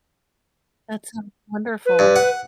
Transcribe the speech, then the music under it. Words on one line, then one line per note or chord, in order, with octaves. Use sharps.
That's sounds wonderful.
B4
G2
F#5